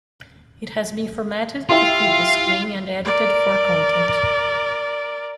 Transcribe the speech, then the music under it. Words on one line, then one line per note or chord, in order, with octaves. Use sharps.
It has been formatted to fit this screen and edited for content.
E4 F4 G4 F5 C6
A#4 D5